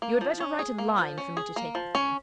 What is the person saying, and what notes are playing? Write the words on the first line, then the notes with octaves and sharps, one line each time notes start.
You had better write a line for me to take with me.
A#3
F3
C#4
G#4
A#3
F3
C#4
G#4
A#3
F3
C#4